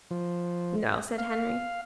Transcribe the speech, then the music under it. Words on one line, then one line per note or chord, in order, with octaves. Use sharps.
"No," said Henry.
F3
F5